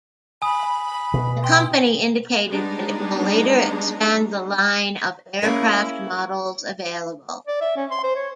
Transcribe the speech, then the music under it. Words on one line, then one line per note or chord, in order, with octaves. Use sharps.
The company indicated that it will later expand the line of aircraft models available.
G#5 B5 D#6
B2
G5 C6
G3 G#3 B3 D4 D#4
A#3 C#4 E4 G#4 A#4
D5
E5
C#4
C6
C5
C#5